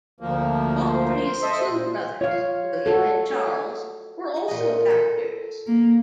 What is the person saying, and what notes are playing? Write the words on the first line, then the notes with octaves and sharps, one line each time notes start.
Hawtrey's two brothers, William and Charles, were also actors.
D2 F3 A#3
C5
A4 D#5 E5
A#2
F4 C#5 F5
F#4 A4
A#2 D#5
A4
A#3